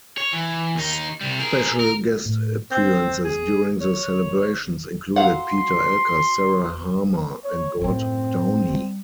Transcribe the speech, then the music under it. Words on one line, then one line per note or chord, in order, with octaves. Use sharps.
Special guest appearances during the celebrations included: Peter Elkas, Sarah Harmer and Gord Downie.
C#5
E3
D#2 D#4
C2 G3
G#4 A#4
A#4
A2
C4
G#4
C#5
F#3 F5 F#5 C6
C#5
F#2 A2 C4
G3